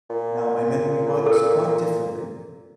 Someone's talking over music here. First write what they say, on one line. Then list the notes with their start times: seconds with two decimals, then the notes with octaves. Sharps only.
Now my memory works quite differently.
0.10 A#2
1.26 A4 A#4